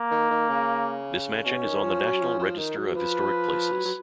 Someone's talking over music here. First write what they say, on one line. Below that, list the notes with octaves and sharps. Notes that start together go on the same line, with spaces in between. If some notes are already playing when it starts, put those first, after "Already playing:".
This mansion is on the National Register of Historic Places.
Already playing: A#3
D#3
D#3
C#3
B2 C#4
D#3
F3
F#3
F3
F3
D#3
F#3
F3 B4
F#3
F#3